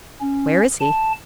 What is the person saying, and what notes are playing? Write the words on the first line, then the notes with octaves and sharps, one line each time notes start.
"Where is he?"
C#4
A5